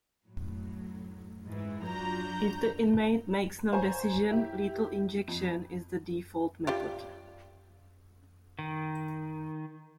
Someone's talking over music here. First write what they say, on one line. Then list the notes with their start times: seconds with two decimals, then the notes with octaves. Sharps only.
If the inmate makes no decision, lethal injection is the default method.
0.24 A2 F#3
1.47 G#2 E3
1.84 F#3 D4 F4 F#4 A#5 G6
3.73 C5 C#5 G#5 A#5
4.31 E4 G4
5.28 F2
6.67 G3 F4 G4
8.59 D#3